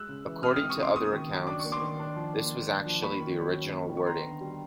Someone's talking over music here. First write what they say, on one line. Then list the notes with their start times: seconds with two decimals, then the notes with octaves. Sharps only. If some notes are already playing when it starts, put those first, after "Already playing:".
According to other accounts, this was actually the original wording.
Already playing: G#3 E6 F#6
0.09 C#3
0.26 E3
0.43 C4 D#6 F6
0.56 G#3 D#6 F6
0.69 C#6 D#6
0.77 C#3
0.82 C6 D6
0.95 A#3 C#6 D#6
1.13 D#3
1.30 F#3
1.47 D4 D6
1.60 A#3 C#6
1.72 C6 D6
1.82 D#3
1.99 D4
2.16 F3
2.33 A#3
2.51 F4
2.68 D4
2.86 F3
3.02 A#3 B5 C#6
3.20 D#3
3.37 F#3
3.54 C#4
3.71 A#3
3.90 D#3
3.97 C#6
4.06 B3 A#5 C6
4.24 D3
4.41 G3